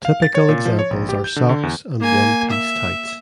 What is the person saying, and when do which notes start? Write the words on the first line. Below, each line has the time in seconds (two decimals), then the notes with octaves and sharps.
Typical examples are socks and one piece tights.
0.05 F5
0.22 A6
0.35 C#5
0.49 A#2
0.65 F3
0.79 C#5
0.91 A#1
1.09 G4
1.24 G6
1.36 D3
1.49 D3
1.63 E2
2.00 A#3 G#5
2.50 E5